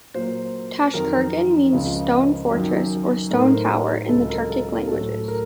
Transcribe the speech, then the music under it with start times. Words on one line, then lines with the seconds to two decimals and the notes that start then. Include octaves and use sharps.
Tashkurgan means "Stone Fortress" or "Stone Tower" in the Turkic languages.
0.15 A#2 F#3 A#3 C5
0.93 F2 D#3 F#3 A#4
1.72 C#2 C#3 F3 C4
2.51 F#2 D#3 F#3
3.30 A2 A3 D#4 A#4
3.39 C5
3.48 A#4
4.09 C#2 C3 F#3 A4
4.29 A#4
4.49 A4
4.69 A#4
4.88 A2 F#3 A3 C4 A4
5.28 A#4